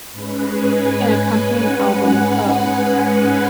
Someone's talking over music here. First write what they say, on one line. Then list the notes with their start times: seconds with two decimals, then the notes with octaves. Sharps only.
An accompanying album, Oh!
0.11 G#2 G#3 C#4 B4
0.49 G#5
1.58 F#5